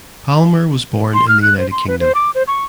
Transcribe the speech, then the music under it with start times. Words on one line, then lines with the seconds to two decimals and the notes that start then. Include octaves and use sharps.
Palmer was born in the United Kingdom.
1.14 C6
1.28 F6
1.42 F#6
1.58 C5
1.71 C6
1.88 B4
2.00 C5
2.15 D6
2.35 C5
2.48 C#6